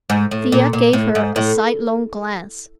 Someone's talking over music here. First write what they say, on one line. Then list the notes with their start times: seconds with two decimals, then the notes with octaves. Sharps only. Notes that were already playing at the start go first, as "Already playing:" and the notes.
Thea gave her a sidelong glance.
0.10 G#2
0.31 A2
0.52 A#2
0.73 A#2
0.93 A2
1.15 G#2
1.36 A2